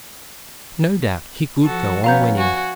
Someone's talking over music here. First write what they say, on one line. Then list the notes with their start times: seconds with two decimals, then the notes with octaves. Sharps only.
No doubt he could go on winning.
1.64 F3 F#4 A4
2.04 F3 B3 C#4 F5 A#5 G6
2.37 F#4 G#5